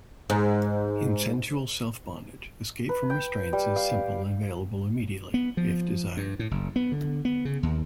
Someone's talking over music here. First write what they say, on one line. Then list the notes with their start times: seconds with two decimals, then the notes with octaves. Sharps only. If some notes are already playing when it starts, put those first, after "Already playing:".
In sensual self-bondage, escape from restraints is simple and available immediately, if desired.
0.30 G#2
2.89 B4
3.10 G5
3.53 G3
3.76 F5
5.34 B3
5.57 F3
6.17 G2
6.39 A2
6.51 F#1
6.76 B3
6.92 D3
7.25 B3
7.45 C#3
7.63 D#2